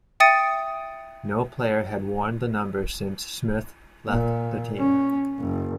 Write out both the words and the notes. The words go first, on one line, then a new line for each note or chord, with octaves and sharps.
No player had worn the number since Smith left the team.
E5 G5 D#6 A6 C#7 D#7
A#2
C#4
F#1